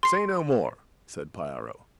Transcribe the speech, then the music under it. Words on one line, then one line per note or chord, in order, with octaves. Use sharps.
"Say no more!" said Piero.
C6 C7